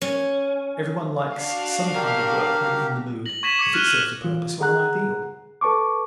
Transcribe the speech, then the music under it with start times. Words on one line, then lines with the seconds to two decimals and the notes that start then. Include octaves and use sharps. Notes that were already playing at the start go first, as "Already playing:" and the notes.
Everyone likes some kind of work when in the mood if it serves a purpose or an ideal.
0.02 C#4
1.32 D4 F#4 F5
1.95 G4 A#4
3.26 A#6 F#7
3.43 C#6 G#6 A#6 B6 E7 F#7
3.59 D6 G#6 C#7 F#7
3.74 F6 F#6 G#6 D#7 G7
3.87 E7 F#7
4.24 E3 F4
4.61 G#4 F#5 A#5 F#6
5.61 A4 B4 A5 C#6 D6